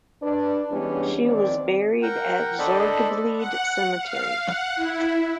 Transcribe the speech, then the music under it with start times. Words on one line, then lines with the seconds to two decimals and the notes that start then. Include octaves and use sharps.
She was buried at Zorgvlied cemetery.
0.23 D4 B4 D5
0.71 E3 G3 G#3 B3 C#4 D4
1.25 D#2 C4 D5
2.02 A#4 F#5 G5
2.59 D4 A4 C5 D5 D#5 B5
3.36 F#5
3.98 F5
4.40 F#5
4.75 E4